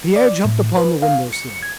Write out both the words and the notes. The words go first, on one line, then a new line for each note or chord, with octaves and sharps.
Pierre jumped upon the window sill.
D5
A2
B4
F5
C#7
G#6